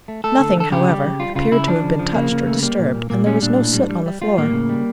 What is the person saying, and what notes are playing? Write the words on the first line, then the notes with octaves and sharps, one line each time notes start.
Nothing, however, appeared to have been touched or disturbed, and there was no soot on the floor.
A3
A3 A4
D3
D3 A4
C#3 G4
G3
C#3
G3 F4
C#3 F4
C#3 E4
F3 D4
C#3
F3
C#3 A#3
C#3
A3
G3 A#3
A#2
A#2
A#2 A#3
G3 C#4
A#2 D4
A2
G3
G3
G3
G3 F4
A2 A#3
C#3
G3